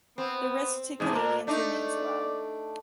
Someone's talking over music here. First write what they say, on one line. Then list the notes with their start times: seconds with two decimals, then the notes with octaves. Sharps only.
The risk to Canadians remains low.
0.18 B3 C4
1.00 E2 G#2 C3 G#4
1.15 A#2 A#4
1.47 A3 D4 D#4 D5